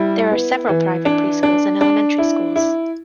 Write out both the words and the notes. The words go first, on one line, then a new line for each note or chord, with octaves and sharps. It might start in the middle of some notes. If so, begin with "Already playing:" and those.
There are several private preschools and elementary schools.
Already playing: G3 E4
B3
E3
D4
D4
D4
E4
E4